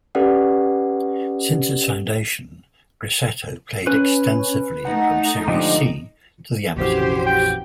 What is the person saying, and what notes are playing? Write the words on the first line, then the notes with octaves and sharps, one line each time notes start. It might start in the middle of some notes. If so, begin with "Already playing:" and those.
Since its foundation, Grosseto played extensively from Serie C to the amateur leagues.
C#4 G4 A4 B4 D5 F#5
C#4 B4 F#6
A3 D#4 F#5
D3 F3 G4 D#5
A#1 F2 E3 C#4 F#4 G4 C5
G5